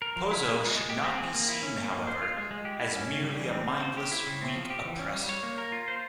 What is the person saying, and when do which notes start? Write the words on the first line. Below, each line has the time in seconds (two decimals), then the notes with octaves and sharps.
Pozzo should not be seen, however, as merely a mindless, weak oppressor.
0.02 A#4
0.16 F3
0.31 E4
0.46 A#3
0.61 G#3
0.75 G#3
0.90 G4
1.04 C4
1.18 G#4
1.34 A#3
1.49 E4
1.63 C#4
1.77 A#3
1.92 A#3
2.07 C5
2.22 F4
2.37 G#3
2.51 G#3
2.65 G4
2.80 E4
2.95 C#4
3.09 C#3
3.24 G3
3.39 E3
3.53 C4
3.68 C4
3.83 C5
3.97 G4
4.12 E4
4.27 C#3
4.41 C4
4.55 F3
4.70 G4
4.86 E3
4.99 C#4
5.14 G3
5.29 C#5
5.43 A#3
5.58 A#4
5.72 F4
5.88 C5